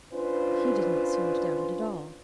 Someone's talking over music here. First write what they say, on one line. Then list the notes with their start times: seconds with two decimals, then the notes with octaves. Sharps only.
"He did'nt seem to doubt it at all."
0.13 C#4 D4 F4 B4 C5